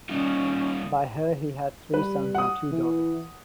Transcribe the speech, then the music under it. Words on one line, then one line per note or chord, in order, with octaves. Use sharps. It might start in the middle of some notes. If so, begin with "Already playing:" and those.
By her he had three sons and two daughters.
G3 C#4 D#4 F4
G3 B4
F#5 D#6
E3